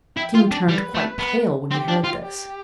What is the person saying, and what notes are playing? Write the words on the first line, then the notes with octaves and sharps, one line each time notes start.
The king turned quite pale when he heard this.
E4 G5
F4
D4
G3 B4
A3
B3
C4 G4
D4
F4
G4